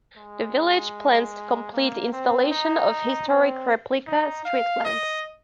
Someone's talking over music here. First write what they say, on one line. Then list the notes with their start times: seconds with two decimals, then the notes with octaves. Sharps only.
The village plans to complete installation of historic-replica streetlamps.
0.16 G#3
1.73 A#3
2.12 C4
2.51 D#4
3.28 C4
4.07 D#4
4.45 F5
4.84 D#5